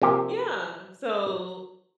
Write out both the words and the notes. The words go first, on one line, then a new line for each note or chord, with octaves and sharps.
Yeah. So
C3 F3 A#3 G4